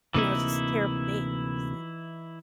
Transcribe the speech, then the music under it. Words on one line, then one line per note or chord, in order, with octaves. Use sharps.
you know, it's just a terrible day because then
D2 C3 E3 A#3 D#4 E4